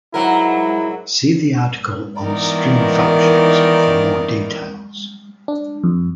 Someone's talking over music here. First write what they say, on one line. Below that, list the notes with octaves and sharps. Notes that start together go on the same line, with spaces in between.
See the article on string functions for more details.
G#2 F#3 E4 A#4
D#3 E3 B3 D#4 A#4 D5
D4
F2